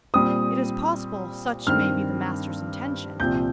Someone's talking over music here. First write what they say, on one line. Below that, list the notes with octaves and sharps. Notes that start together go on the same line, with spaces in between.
"It is possible such may be the master's intention."
A#2 G3 C4 D#6
G2 D#3 C4 F6
C2 A#2 F3 C4 G6